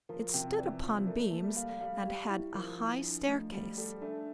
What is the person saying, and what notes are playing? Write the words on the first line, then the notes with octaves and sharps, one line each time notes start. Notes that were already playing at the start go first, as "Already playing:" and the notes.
It stood upon beams, and had a high staircase.
F3 A#4
C3 G5
E3 D5
F3 D5
A3 A#4
A3
A3 A#3
G3
A3 F5
G3 F5
G4
E4
F3 A#4
E4
D4
A3
G3 A3
G3 A4
A3 D4